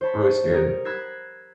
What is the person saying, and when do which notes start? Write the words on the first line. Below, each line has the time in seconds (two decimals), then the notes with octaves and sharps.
Really scary.
0.01 C5 C#5 A5 B5
0.52 G3 A#4 D#6 C#7 D7
0.85 B5 E6 F#6 G#6 A#6 C7